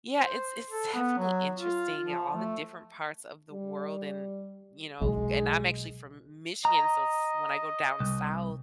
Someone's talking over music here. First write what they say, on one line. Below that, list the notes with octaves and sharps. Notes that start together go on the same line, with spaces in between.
yeah, it's it's definitely interesting in all the different parts of the world and, you know and, I'm actually from M Michigan, so it's when I go down south
C5
A4
B3
F#3
F4
F3
A3
G3
B1 G#3
D#5 A#5
C2